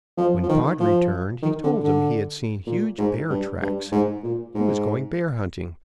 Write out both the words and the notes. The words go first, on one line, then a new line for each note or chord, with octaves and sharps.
When Pod returned he told him he had seen huge bear tracks; he was going bear-hunting.
F3
F3
D#3
F3
D#3
D3
D3
A#2
G#2
G2
G2
G#2
A#2
G#2